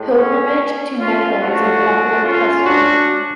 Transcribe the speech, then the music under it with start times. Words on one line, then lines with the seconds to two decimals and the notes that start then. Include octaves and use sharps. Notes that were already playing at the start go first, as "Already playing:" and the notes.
Pilgrimage to Mecca was a popular custom.
Already playing: A2 G#3
0.16 C#4
1.00 C#4 F4
1.41 A2 F3 A3 D4 F#4
2.24 C#4 F4
2.65 D4 F#4